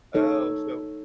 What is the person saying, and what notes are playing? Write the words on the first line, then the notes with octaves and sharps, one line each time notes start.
Oh, so
D#4 A4 C#5